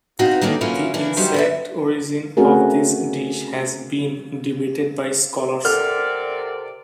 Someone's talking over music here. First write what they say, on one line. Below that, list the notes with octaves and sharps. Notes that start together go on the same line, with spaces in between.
The exact origin of this dish has been debated by scholars.
B3 C4 D#4 F#4 F5
D#3 A#3 C#4 D4 A4 D5
F#3 A#3 C#4 E4 F4
E3 A#3 D4 E4
F2 D#3 F#3 G3 G4 C5
B4 C#5 E5
A3 C4 C#4 F#4 G#4 A#4
C3 A4 A#4 D5 F#5 F6